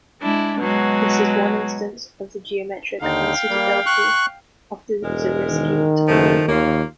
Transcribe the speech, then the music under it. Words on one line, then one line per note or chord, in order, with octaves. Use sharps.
This is one instance of the geometric unsuitability of the Zariski topology.
G#3 D4 E4
B2 F#3 G#3
D#2 D3 D#4 F5 G5
G3 A#3
C#6 F#6
E1 G#2 G#3 A#4
D#3
F#1 F3 A3
D#2 A#3 F4 C#5